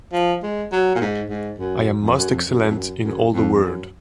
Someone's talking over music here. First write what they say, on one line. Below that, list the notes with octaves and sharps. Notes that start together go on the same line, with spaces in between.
I am most excellent in all the world!
F3
G#3
F#3
A#2
G#2
G#2
F#2
F2
F#2
F2
F#2
F2
F#2
F#2
F2
F2
F#2